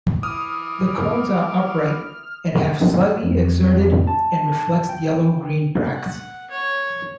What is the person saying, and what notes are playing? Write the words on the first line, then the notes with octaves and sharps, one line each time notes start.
The cones are upright and have slightly exserted and reflexed yellow-green bracts.
E3 E4 D6 D#6 F6
F2
A5
G5
F#5
C#5